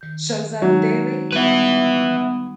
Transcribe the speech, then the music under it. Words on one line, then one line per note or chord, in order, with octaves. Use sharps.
shows up daily?
D#3 G6
D#3 F#3 G#3 D#4
G3 B3 B4 E5 G#6